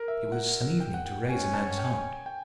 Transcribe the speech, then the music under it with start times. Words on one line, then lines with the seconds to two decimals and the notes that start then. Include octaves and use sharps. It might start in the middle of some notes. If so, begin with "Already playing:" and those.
It was an evening to raise a man's heart.
Already playing: A#4
0.08 E5
0.32 F#5
0.80 G5
0.94 F#5
1.06 G5
1.29 C#4 G#5
1.43 G#5
1.54 A5
1.78 G5
1.85 G#5
1.91 G5
2.26 G5